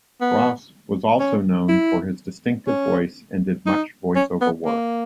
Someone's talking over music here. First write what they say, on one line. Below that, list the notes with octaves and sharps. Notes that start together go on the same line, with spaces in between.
Ross also was known for his distinctive voice and did much voiceover work.
B3
C#4
E4
C#4
D#4
C#4
B3
A#3